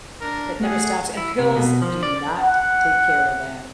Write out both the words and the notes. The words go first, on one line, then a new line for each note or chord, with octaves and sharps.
it never stops, and pills do not take care of that,
D4 A#4
A3 G#4 F#5
E4
C3
B2
F3
D5
F#5